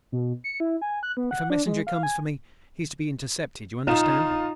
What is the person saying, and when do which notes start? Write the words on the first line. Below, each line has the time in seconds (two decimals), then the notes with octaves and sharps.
If a messenger comes for me, he is to be intercepted, you understand.
0.12 B2
0.44 C#7
0.60 E4
0.82 G#5
1.03 F#6
1.17 B3
1.31 F#5
1.50 D4
1.66 G#3
1.87 F5
2.03 G#5
3.87 D#4 F4 E7